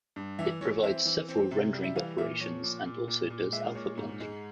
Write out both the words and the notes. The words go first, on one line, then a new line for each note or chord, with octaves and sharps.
It provides several rendering operations and also does alpha blending.
G2
E3 E5
E3 C#5
C4 E5
E3
C4
C3
G3
E5
E3 F5
A#2 E5
F3 C#5
A#2
A#2
A#2
A#2
G#3 E5
A#2 C#5
G#2
G#3